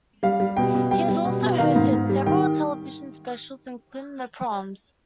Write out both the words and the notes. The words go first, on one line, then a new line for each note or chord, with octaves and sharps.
He has also hosted several television specials, including "The Proms".
G3 F5
G3
B2 G5
B2
G3 G5
G3
B2
B2
D#3 F5
G#2
G#2
G3
D#3 G5